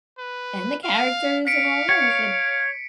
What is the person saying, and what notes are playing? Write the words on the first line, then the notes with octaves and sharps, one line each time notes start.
And, the characters and all this, and
B4
F5
F5 B6 C#7 D7
C#5 C#7